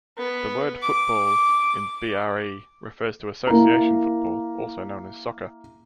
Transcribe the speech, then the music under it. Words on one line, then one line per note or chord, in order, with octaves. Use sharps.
The word "football" in BrE refers to Association football, also known as soccer.
B3
D6
A#3 E4 A#5